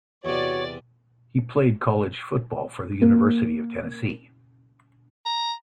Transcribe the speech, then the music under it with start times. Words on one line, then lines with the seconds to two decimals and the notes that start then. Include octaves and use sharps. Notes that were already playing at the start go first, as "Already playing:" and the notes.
He played college football for the University of Tennessee.
0.25 E2 C3 F#4 C#5 D5 A6
3.02 A#3
5.26 A#5